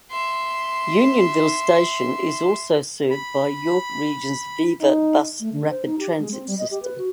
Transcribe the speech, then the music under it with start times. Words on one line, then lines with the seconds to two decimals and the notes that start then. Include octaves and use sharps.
Unionville Station is also served by York Region's Viva bus rapid transit system.
0.10 E5 C6
3.10 B5
4.81 D#4
5.40 A3
5.53 D3
5.70 C5
5.85 D#4
5.99 G4
6.19 G#3
6.32 C4
6.47 G3
6.58 D#5
6.71 G4
6.83 B4
6.98 F#4